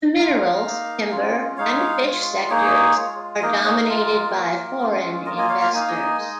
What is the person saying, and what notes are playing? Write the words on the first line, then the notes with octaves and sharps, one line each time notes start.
The minerals, timber, and fish sectors are dominated by foreign investors.
G#3 F4 F5 A#5
A#3 D#4
G#3 C#4 F4
G#3 D#4 C#5 F5
G#3 F4
A#3 D#4 G#4 C#5
G#3 F4
A#3 D#4 A#4 D#5
G#4 C#5
A#4
G#3 F4 A#4
A#3 F4
G#3 C#4 F4
A#3 F4 A#4 D#5
D#5 G#5
C#5 F5
F5 A#5
A#3 D#4 G#5
F5
D#5 G#5
G#3 D#4